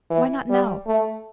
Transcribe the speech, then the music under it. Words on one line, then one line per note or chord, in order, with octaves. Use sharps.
Why not now?
E3
G3
A3